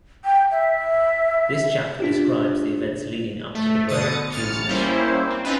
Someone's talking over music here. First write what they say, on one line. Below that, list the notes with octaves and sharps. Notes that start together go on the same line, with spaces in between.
This chapter describes the events leading up to the birth of Jesus.
G5
E5
D4 F4 G4
A3
B2 D3 D#6 A6 C#7
A1 F6 A6 C#7
G3 A#3 C#4 E4 C5
C4
C4 C#4 D#4 F4 B4